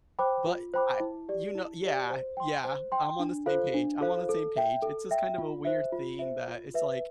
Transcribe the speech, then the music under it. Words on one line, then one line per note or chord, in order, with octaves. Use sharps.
but I you kno Yeah, yeah, I'm on the same page, I'm on the same page, it's just kind of a weird thing that it's like
C5 G5 B5 D6
F4
C5 G5 B5 D6
E4
G4 D5
E4
G4 D5
C5
G5 C6
C5
G5 C6
D4
F4 A4 C5 F5
D4
F4 A4 C5 F5
A4
E5 G5
A4
E5 G5
F4
C5 E5
F4
C5 E5
F4
B4 E5